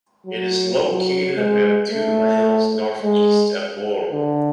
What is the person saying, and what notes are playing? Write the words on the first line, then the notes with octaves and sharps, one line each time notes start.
It is located about two miles northeast of Buhl.
F#3
F#3
G#3
A3
G#3
D3